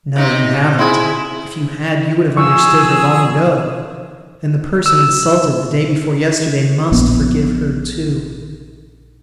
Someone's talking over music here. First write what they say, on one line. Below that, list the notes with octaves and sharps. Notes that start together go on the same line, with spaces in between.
No, you haven't; if you had, you'd have understood her long ago ... and the person insulted the day before yesterday must forgive her, too!
C3 D#4
C4 E4 G#4
F3 G#4 C#6 E6
E6
A#1 B3